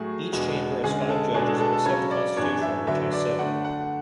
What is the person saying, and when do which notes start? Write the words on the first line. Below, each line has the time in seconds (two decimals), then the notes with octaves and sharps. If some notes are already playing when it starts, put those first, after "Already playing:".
Each chamber has five judges, except the constitutional, which has seven.
Already playing: A2 F#3 A3 G#4
0.33 E2 B2 G#3 D4
0.83 D3 G#3 C#4 G#4
1.09 A4
1.34 B2 G#3 B3 D4 G#4
1.47 A4
1.60 A4
1.73 A4
1.85 C#3 F#3 C#4 C#5
2.11 D5
2.37 F#2 E3 B3 D4 C#5
2.62 E5
2.87 D3 F#3 B3 D4 E5
3.13 D5
3.39 D3 A3 D4 F#5
3.64 F#5